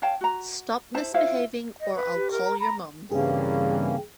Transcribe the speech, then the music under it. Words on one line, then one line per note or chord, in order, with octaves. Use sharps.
Stop misbehaving or I'll call your mom.
C#5 F5 G5 A5
F#4 A#5
E4 C5 A5
E4 F4 C5 F5
D#5
B4
G4
A#4
A#5
A#5 B5
G2 C#3 E3 A#3 C4 C#4 G#4